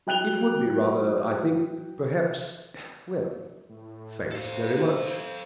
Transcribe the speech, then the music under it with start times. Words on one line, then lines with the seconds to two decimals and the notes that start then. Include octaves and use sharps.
"It would be rather--I think, perhaps--well, thanks very much."
0.07 F#3 G5 F#6 F7 G7
3.69 A2
4.31 A4 C5 F5